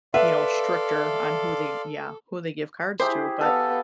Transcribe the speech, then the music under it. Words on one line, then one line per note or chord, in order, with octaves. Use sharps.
you know, stricter on who they Yeah, who they give cards to, but,
A4 B4 D5 E5 F5 C6
E4 G4 G#4 C5
B3 A4 F5